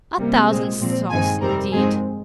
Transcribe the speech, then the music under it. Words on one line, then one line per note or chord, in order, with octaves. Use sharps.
A thousand souls, indeed!
C3 G3 A#3
A#2 G#3 C4
A#2 F3 C4
G2 D#3 G#3 C4 G#5
F2 C3 G3 C4 A#4
G2 D#3 G#3 C4 G#4